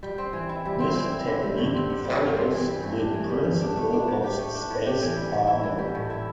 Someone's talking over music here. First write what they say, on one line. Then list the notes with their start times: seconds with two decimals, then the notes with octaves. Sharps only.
This technique follows the principle of spaced armor.
0.03 G3
0.18 C4
0.33 E3
0.49 E4
0.65 G3
0.80 C4
0.96 E3
1.12 E4
1.27 D3
1.43 G3
1.58 G2
1.74 C4
1.90 D3
2.05 G3
2.21 G2
2.36 C4
2.52 E3
2.68 G3
2.83 G2
2.98 D4
3.14 E3
3.29 G3
3.45 G2
3.61 D4
3.76 A3
3.93 D4
4.08 A2
4.24 G4
4.39 A3
4.55 D4
4.70 A2
4.86 G4
5.02 E3
5.16 G3
5.32 A2
5.47 E4
5.63 E3
5.78 G3
5.95 A2
6.10 E4